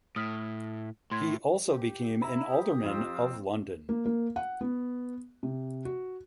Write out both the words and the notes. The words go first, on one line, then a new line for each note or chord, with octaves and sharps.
He also became an Alderman of London.
A2 D#6 F6 B6
A2 C6 G#6
G4
E4 A#5 B5
G4 D#6
F2 C4 F4
A#3
A#3
F#5
B3
C3
F#4